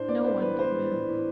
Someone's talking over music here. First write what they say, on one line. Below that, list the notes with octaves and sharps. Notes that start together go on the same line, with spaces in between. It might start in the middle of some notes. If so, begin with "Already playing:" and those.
No one could move.
Already playing: A2 D4 C5
B3 D5
B3 C5
E3 B4
E3 C5
A2
A2
A2